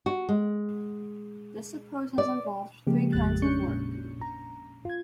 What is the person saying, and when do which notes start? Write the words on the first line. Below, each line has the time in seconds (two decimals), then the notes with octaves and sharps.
This approach has involved three kinds of work.
0.06 F#4
0.29 G#3
2.18 D5
2.87 C#3 F3 G#3 A#3 G4
3.12 A1 F2 G#3 F#6 A6
3.42 C#4 D4 C#6 G6 C#7
3.66 A#2
4.21 A#5
4.85 F4 G#6